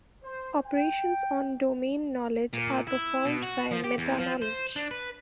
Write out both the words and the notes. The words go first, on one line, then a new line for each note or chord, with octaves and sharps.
Operations on domain knowledge are performed by meta-knowledge.
C5
G5
A#2
E4
B2
F#4
F3
G4
E2
F3
C5
D4
B4